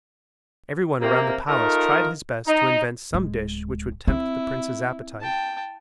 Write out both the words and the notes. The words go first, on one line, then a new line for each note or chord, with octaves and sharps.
Every one around the palace tried his best to invent some dish which would tempt the prince's appetite.
C3 A#3
A3 D#4 F4 A#4
D#4
D1 G#3
C4 E4
G5 A5